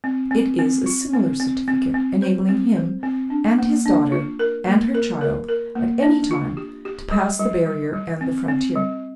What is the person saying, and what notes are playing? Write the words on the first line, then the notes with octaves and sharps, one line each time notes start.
It is a similar certificate, enabling him and his daughter and her child, at any time, to pass the barrier and the frontier!
C4
C4
C4
F4
C4
C4
C4
C4
C5
C4
C5
C4
D4
A#3
D4
F4
A#4
A#3
A#4
A#4
A#4
A#3
D4
F4
G4
G4
G3
G3
G3
G3
C4
C4
G3